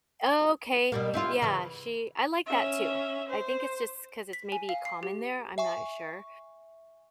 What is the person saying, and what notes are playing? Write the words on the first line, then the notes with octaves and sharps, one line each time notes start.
Okay, yeah, she I like that too, I think it's just 'cause it's maybe common there, I'm not sure,
B2 G3 A#3
C4 E4 F4
C#3 E3
C#4 E5
C5
B6
G#5
F5
C7
G4
E5 G#5 C#6